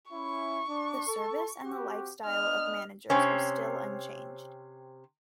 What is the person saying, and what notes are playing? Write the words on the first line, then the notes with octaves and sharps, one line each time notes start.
The service and the lifestyle of managers are still unchanged.
C#4 E4 C#6
D4
A4
C4 F#4 G4
B3 D4 D#5 F6
C3 C4 C#4